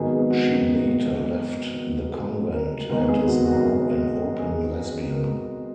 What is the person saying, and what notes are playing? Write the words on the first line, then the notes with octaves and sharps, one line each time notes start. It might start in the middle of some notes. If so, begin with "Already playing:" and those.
She later left the convent and is now an open lesbian.
Already playing: G#1 G#2 D#3 F#3 B3 G#4
F#4
G#4
A#4
G#1 G#2 D#3 G#3 B3 A#4
G#4
F#4
F#4
G#4
A#4